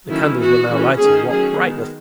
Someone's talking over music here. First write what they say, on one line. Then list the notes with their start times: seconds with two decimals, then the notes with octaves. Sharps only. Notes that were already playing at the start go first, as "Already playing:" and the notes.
The candles were now lighted--what brightness!
0.09 D#3 F#3 A3 C#4 E4
0.38 E3 B3 F#4
0.68 E3 G#3 C#4
0.97 D#3 A3 C#4 G#4
1.28 D#3 F#3 A3 C#4 G#4
1.57 D#3 G#3 B3